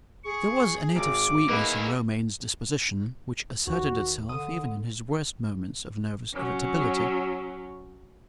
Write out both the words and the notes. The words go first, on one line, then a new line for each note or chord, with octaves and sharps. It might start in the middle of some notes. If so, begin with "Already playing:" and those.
There was a native sweetness in Romayne's disposition, which asserted itself even in his worst moments of nervous irritability.
G#4 C#6
G#1 D6
A#3 D#4 E4 G#4 B4
D#2 F#4
D3 D#6
F#3 C#4